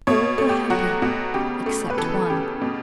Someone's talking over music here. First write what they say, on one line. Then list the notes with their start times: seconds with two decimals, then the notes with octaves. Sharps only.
All were happy except one.
0.07 B2 C#5
0.38 A3
0.49 G4
0.70 F#3 F#4
1.02 B2 F#4
1.34 C#3 G4
1.66 A3
1.90 B4
1.98 E3 A4
2.30 C#3 G4
2.62 B2